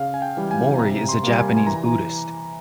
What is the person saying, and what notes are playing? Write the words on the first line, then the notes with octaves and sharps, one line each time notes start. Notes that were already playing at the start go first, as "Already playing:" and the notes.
Mori is a Japanese Buddhist.
Already playing: C#3 F5
G#5
G5
E3 G3
G#5
C3 A#5
C6
G3 A#3
G#5
G#5
E3 A#5